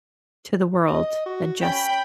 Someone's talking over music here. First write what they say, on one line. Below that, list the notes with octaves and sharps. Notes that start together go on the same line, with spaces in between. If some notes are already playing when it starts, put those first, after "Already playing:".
to the world than just
D#5
F#4
C#4 G5 B5